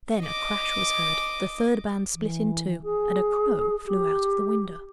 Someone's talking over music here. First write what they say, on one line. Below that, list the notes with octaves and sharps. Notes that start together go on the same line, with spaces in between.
Then a crash was heard, the third band split in two, and a crow flew out of the window.
D#5 D6
E3
G#4
G4